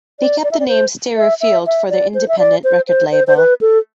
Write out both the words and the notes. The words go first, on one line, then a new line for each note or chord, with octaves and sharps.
They kept the name Stereo Field for their independent record label.
D5
D5
E5
D5
C5
E5
E5
E5
D5
C5
E5
D5
C5
C5
C5
C5
B4
A4